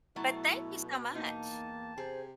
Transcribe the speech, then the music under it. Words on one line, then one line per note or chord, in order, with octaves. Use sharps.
but thank you so much.
B2 F#3 A3 B3 E4
E2 A#3 D#4 G5 A5
C3 G#4 C5